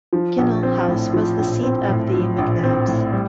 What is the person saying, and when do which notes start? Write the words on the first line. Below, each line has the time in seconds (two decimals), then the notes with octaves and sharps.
Kinnell House was the seat of the MacNabs.
0.13 F3
0.38 A#1
0.63 C4
0.88 A2
1.14 F3
1.39 A#1
1.63 C4
1.89 A2
2.14 F3
2.38 A#1
2.63 C4
2.88 A2
3.13 G3